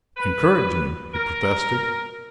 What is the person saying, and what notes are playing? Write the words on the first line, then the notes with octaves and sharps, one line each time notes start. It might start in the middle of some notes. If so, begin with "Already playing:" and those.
"Encouraged me!" he protested.
B4
A#4